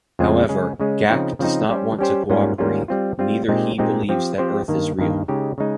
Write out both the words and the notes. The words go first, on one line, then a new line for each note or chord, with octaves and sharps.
However, Gack does not want to cooperate, neither he believes that Earth is real.
F2 C#3 G#3 C4 F4
C#3 G#3 C#4 G#4
C#3 G#3 C#4 G#4
C#3 F3 C4 D#4
C#3 F3 C4 D#4
G3 C#4 G4 C5
G3 C#4 G4 C5
G#2 G3 A#3 C#4 F4
G#2 G3 A#3 C#4 F4
G3 C4 F4
G3 C4 F4
A#2 G#3 C4 D#4 G4
A#2 G#3 C4 D#4 G4
F3 C4 G4 C5
F3 C4 G4 C5
G2 D#3 A#3
G2 D#3 A#3
C#3 G#3 D#4 G4
C#3 G#3 D#4